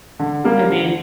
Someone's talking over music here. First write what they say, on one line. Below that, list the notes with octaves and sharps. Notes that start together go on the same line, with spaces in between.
I mean
D3
G3 A#3
D3